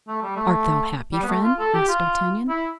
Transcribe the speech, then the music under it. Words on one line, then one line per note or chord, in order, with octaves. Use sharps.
"Art thou happy, friend?" asked D'Artagnan.
A3
G3
A3
G3
B3
A3
F4
A4
G4
F4
E4